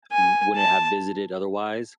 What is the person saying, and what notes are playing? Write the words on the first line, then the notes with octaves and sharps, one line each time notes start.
w wouldn't have visited otherwise,
G#5
A5